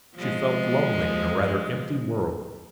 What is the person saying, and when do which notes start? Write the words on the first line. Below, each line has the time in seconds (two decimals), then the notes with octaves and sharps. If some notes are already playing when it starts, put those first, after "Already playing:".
She felt lonely in a rather empty world.
0.14 F3 G#3